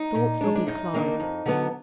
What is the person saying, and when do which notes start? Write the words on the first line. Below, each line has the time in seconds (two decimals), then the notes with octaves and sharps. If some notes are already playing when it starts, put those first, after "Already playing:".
Thoughts of His Clara.
Already playing: D#4
0.15 A#2
0.41 G#3 D4
0.55 D4
0.67 F#2 D#4
0.94 D#3 A#3 D4
1.20 F2
1.46 D3 F#3 B3